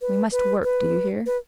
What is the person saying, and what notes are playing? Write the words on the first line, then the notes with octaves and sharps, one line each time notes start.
We must work, do you hear?
B4
B4
B4
B4